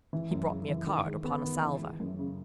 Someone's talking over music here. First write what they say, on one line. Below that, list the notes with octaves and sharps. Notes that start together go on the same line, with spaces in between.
He brought me a card upon a salver.
E3
F#2
C#3
E3
D#3
G#3
B3
D#3
E3
G#3
F#2
C#3